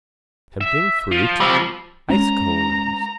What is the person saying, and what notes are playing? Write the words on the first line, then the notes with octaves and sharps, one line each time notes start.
Tempting fruit. Ice cones.
E5
F3
G3 C4
G#3 C#4 A#5